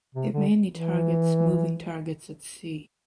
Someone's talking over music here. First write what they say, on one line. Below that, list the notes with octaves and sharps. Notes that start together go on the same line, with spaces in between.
It mainly targets moving targets at sea.
C3
D3
E3